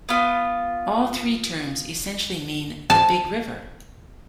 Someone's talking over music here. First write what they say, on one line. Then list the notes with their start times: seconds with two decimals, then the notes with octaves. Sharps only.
All three terms essentially mean "the big river".
0.09 B3 F4
2.90 A5